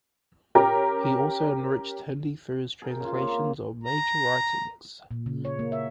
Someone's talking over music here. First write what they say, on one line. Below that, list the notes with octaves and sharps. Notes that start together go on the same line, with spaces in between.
He also enriched Hindi through his translations of major writings.
C#4 G4 A#4
G#4 A#4 G5
C#3 F4
A#3 C4
A#5
A#2
C#3
C#5
A#3
E5